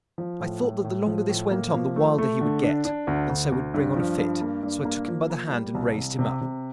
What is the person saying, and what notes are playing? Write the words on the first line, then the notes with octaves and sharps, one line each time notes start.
I thought that the longer this went on the wilder he would get, and so would bring on a fit; so I took him by the hand and raised him up.
F3
A2
A2
A2
F3
A2
A#3
F3
A3
A3
D3
D4
D4
D2
D2
D2
G2
F3
G2
A#3
G2
A#3
F3
A#3
G3
C2
C2
C3
C3